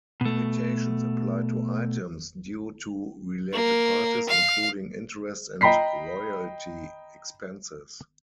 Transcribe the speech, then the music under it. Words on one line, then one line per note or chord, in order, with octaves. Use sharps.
Limitations apply to items due to related parties, including interest and royalty expenses.
B2 A3
A#3
F5
D#5 G5 A#5 B5 B6 C7